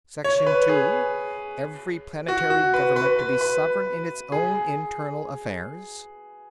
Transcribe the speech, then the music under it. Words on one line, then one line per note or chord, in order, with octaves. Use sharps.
Section Two: Every planetary government to be sovereign in its own internal affairs....
C#5
B4
G#4
F#4
F#4
B4
B4
B4
B4
G#4